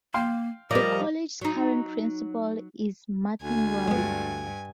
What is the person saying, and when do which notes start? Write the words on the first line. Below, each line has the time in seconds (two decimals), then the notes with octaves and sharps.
The college's current principal is Martin Raby.
0.14 A#3 F5 G5 C6
0.71 F3 G3 A#4 D5 D#5 A#5 D6
1.41 F#3 D#4
3.43 D2 G#5
3.88 G2 G#3 B3